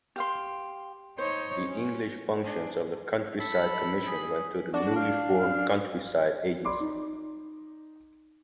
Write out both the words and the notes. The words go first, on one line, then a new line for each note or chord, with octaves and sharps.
The English functions of the Countryside Commission went to the newly formed Countryside Agency.
G4 F5 C6
D#4 C5 C#5
C#4
D4 G#4
A4 B5
G#4
D4 F#4
F5
D5 B5 C6 D6
D#4